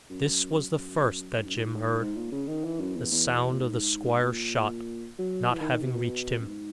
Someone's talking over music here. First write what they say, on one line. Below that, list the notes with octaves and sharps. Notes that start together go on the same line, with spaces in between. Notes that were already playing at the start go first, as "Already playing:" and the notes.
This was the first that Jim heard, the sound of the squire's shot not having reached him.
F#2
F#2
G#2
F#2
G#2
G#2
A#2
C#3
D#3
E3
F#2
E2
E2
A#2
G#2
G#2
A#2
F#3
E3
D#3
D#3
B2
F#2
G#2